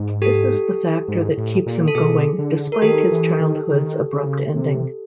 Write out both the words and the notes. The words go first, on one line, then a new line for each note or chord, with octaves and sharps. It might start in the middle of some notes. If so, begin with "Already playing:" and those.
This is the factor that keeps him going despite his childhood's abrupt ending.
Already playing: G#2
G4 A4
G#2
A2
A#2
A4
B2 G#4
D3
A#4
D#3 G4 A4
E3
D#3
D#3
C#3
C3